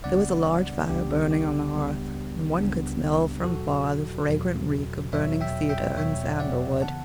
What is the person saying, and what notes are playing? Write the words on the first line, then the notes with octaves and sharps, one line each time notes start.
There was a large fire burning on the hearth, and one could smell from far the fragrant reek of burning cedar and sandal wood.
C#2 C#3 G3 B3 D4 D5 F#5
C#2 C#3 G3 B3 D4 G4
G4
C#2 C#3 G3 B3 D4
C#2 C#3 G3 B3 D4
E2 B2 F#3 F#4 A4
E2 B2 F#3
E2 B2 F#3 C#5 E5
E5 G5
E5 G5
E2 B2 F#3 C#5 E5
D5 F#5
C#3 E3 B3 F#5 A5